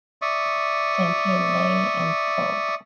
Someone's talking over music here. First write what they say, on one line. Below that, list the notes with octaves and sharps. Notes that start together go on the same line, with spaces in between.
Then he lay and thought.
D5 E5 C#6 D#6